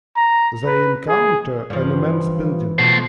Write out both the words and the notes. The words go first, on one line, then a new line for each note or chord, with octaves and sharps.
They encounter an immense building.
A#5
B4
G#4
G2 E3 F3
B2 F3 A3 C5